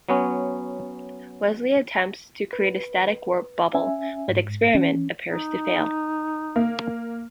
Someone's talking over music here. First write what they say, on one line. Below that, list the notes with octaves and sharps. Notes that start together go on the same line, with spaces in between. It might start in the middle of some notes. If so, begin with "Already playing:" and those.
Wesley attempts to create a static warp bubble but the experiment appears to fail.
F#3 B3 C#4
B4
C#4 E5 G#5
G#2
E3 C#4
D#4
A#3